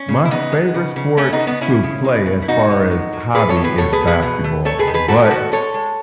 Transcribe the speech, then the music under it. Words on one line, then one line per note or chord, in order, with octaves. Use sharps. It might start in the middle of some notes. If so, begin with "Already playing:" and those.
My favorite sport to play, as far as hobby, is basketball, but
Already playing: C#4
C#3
E4
C#3 B3 D#4
G#3
C#3
C#3
C#3 A3 C#4
B3 D#4
C#3
B3 D#4
C#3 C#4 E4
C#3
G#3
B2
E4
B2 D#4 F#4
G#3
A2
F#3
A2 G#4 B4
A4 C#5
A2
G#4 B4
B2 A4 C#5
G#4 B4
B2
G#4 B4
B2
A3
A3 A4 C#5
G#4 B4
D#3
G#4 B4
A3 F#4 A4
B4
D#3 F#4 A4
G#3 A4 C#5
G#3